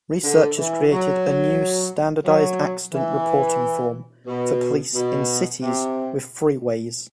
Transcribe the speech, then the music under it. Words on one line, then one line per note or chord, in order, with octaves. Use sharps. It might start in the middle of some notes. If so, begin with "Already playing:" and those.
Researchers created a new standardized accident reporting form for police in cities with freeways.
D3
E3
F#3
F#3
E3
B2
B2
C3